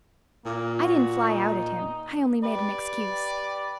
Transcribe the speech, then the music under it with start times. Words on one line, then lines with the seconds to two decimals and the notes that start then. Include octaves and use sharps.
I didn't fly out at him--I only made an excuse.
0.46 A#2 A#3
0.81 F#4
1.27 D#4
2.43 G4 B4 D5